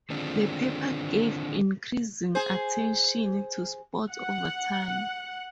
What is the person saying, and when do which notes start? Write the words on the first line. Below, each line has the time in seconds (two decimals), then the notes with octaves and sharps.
The paper gave increasing attention to sports over time.
0.10 D3 D#3 C4 D4 F4 G#4
2.35 G#4 C5
4.10 F#5